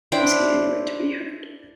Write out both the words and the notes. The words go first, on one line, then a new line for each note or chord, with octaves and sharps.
Is he anywhere to be heard?
D4 E4 C5 G5